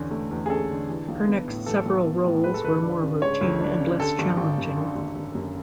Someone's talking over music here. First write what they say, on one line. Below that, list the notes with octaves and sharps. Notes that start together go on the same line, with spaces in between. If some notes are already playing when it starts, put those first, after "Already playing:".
Her next several roles were more routine and less challenging.
Already playing: E2 D3 C#4
A3
E2
G#4
C#4 A4
D3
E3
B1
B3
A2
E3 A4
B1
B3
A2
G#3 B4
A4
D2 B4
D4
C#3
G#3 C#5
D2
D4
C#3
D3 A4
G#1
G#1
F#2
D3
G#1
G#1
F#2